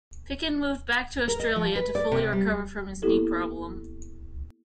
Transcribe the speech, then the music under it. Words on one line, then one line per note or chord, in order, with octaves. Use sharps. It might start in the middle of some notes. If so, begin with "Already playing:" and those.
Picken moved back to Australia to fully recover from his knee problem.
A#4
D#5
F3
B4
D5
C3
G3
A#3 B3 E4 G4 A4